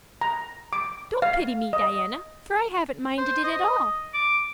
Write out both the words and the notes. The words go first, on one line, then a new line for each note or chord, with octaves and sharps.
Don't pity me, Diana, for I haven't minded it at all.
A#5
D6
F5
D#5
C5
D#5
D6